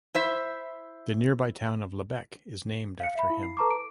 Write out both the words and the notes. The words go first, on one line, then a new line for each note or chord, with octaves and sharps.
The nearby town of Lebec is named after him.
E4 C5 E5
F5 C#7
E5 B5
E4
C7
A4 B4 A5 A#5 C#6 D6
D7